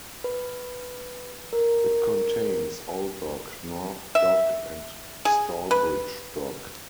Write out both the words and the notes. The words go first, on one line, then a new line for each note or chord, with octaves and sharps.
It contains Old Dock, North Dock and Stalbridge Dock.
B4
A#4
E5
G#4
B4